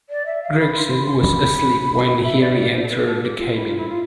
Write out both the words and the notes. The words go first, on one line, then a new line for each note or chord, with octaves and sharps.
Gregson was asleep when he re-entered the cabin.
D5
E5
F5
B5
C6
B5
C6
B5
E5
D5
E5
D5
C5
A4
B4
A4
G4
F4
E4
F4
E4
F4